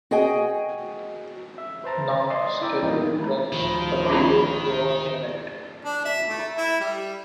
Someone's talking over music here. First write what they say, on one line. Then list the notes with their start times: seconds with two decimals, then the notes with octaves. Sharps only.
Now, scheduled runs continue throughout the night.
0.11 F#4 G#4 D#5 G5 G#5
1.58 E5
1.84 B4 C5 A5 A#5
2.30 D5 D#5 A5 C6
2.62 E4 D5 E5 G5 A#5
2.83 E3 G3 A#3 B3 D#4 F4
3.52 D2 A2 D#3 F3 B5
5.84 D4
6.05 E5
6.29 A3
6.57 E4
6.80 G3